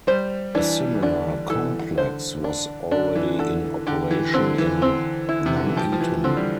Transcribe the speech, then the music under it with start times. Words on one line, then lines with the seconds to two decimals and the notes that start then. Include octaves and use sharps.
A similar complex was already in operation in Nuneaton.
0.07 G3 C5
0.55 E3 D4
0.95 E3
1.02 D3 D4
1.50 E3 A4
1.97 D3 C5
2.44 D4
2.91 D3 D4
3.15 E3
3.39 D3 A4
3.87 D3 G4
4.11 E3
4.34 D3 C4
4.58 E3
4.82 C4
5.29 E4
5.46 C3
5.56 D3
5.66 E3
5.77 F3 G4
5.92 F3
6.00 E3
6.24 D3 C4
6.37 G3